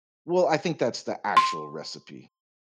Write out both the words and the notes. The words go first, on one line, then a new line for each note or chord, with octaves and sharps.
Well, I think that's the actual recipe,
C6